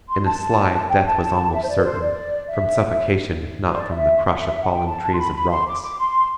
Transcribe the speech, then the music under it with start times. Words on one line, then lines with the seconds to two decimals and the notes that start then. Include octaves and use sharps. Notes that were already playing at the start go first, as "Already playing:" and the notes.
In a slide death was almost certain, from suffocation if not from the crush of falling trees and rocks.
0.09 C6
0.25 A5
0.89 G5
1.05 A5
1.53 E5
1.63 C5
1.68 D5
1.77 B4
1.84 C5
2.00 D5
2.48 E5
3.72 C5
3.75 D5
3.91 E5
4.62 F#5
4.72 G5
4.86 A5
5.03 A5
5.14 C6
5.18 B5
5.34 B5
5.50 C6
5.67 D6
5.82 D6
5.99 C6